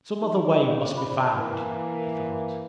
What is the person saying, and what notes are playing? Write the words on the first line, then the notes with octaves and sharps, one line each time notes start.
"Some other way must be found," he thought.
D#4
G#5
F4 D#5 E5
G4 C#5 D5 F5 G#5 C6
G#4 C5 C#6
D4 F4 C5 D5 B5
E3 A#3